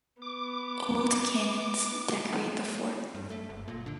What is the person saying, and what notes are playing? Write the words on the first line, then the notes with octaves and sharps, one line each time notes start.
Old cannons decorate the fort.
B3 D6
G2
A3
F#1
A#2
D3